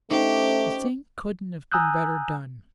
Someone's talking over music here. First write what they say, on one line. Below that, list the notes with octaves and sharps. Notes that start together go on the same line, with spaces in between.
The thing couldn't have been better done.
A3 C#4 D#4 G4 C5 D6
G#5 A#5 D#6 E6 F#6 G6